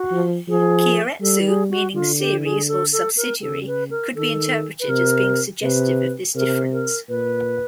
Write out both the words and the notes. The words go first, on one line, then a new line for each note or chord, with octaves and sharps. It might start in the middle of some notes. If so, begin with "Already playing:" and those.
Keiretsu, meaning "series" or "subsidiary", could be interpreted as being suggestive of this difference.
Already playing: F#4
F3
F3 G#4
G3 A4
G#4
F#4
D3 F4
G4
G#4
A4
A4
A#4
C#3 A4
B4
A#4
D#3 A4
B4
C3 A#4
C3 B4
C3 A#4
A#4
A#2 B4